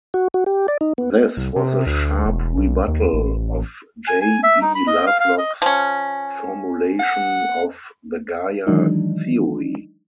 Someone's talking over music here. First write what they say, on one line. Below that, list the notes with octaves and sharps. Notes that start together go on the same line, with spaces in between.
This was a sharp rebuttal of J. E. Lovelock's formulation of the Gaia Theory.
F#4
F#4
G4
D5
D#4
B3
C2
C3
D2
E1
B1
D#2
A1
G#5
G#5
E5
D#4
B5
D#5
F5
F5
D#5
F3 C#4
F#5
D#3 E3 F#3 G#3 D4 D#4